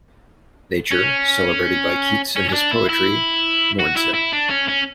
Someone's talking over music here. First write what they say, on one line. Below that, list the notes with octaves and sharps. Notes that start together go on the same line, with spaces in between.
Nature, celebrated by Keats in his poetry, mourns him.
C#4
C#4
C#4
D4
E4
E4
F#4
E4
E4
D4
C#4
C#4